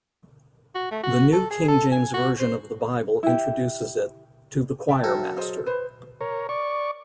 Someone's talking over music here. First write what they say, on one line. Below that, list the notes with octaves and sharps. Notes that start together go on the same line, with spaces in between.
The New King James Version of the Bible introduces it: To the choirmaster.
F#4
A3
F#4
A4
G#4
A4
G#5
F#4
C5
E4 G4
E5 G5 A5
F#2 A4 A#4
G#4 C5 D#5
B4 C5
A#4 C#5
D5 C#6